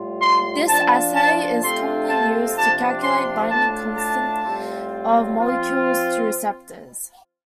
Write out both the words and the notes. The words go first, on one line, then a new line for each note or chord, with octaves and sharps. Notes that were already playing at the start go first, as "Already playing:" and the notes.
This assay is commonly used to calculate binding constant of molecules to receptors.
Already playing: A2 G3 F4
C6
F3 D4 F4 A5
A5
C3 A3 C4 F4 C6
A5
C3 F3 D4 F4 A5
C6
A2 A3 D4 F4 A5
A5
A2 G3 C4 F4
F3 C4 F4